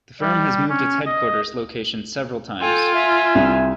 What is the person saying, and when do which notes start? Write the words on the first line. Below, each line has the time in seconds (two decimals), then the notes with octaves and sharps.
The firm has moved its headquarters location several times.
0.20 G3
0.69 C#4
1.06 D#5
2.62 F4 A4 G5 G#5
2.95 E5 G#5
3.35 C2